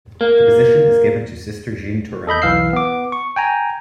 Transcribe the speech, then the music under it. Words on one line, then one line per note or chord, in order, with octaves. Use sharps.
The position is given to Sister Jeanne Turenne.
A#3
A4 D#5 B5 G6
B1 E3 F5 E6 C7
B3 D6
C#6
G5 G#5 A#5